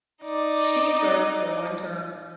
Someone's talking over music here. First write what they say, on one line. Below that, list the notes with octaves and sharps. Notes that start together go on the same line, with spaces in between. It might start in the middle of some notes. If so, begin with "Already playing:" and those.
She served for one term.
D#4 D5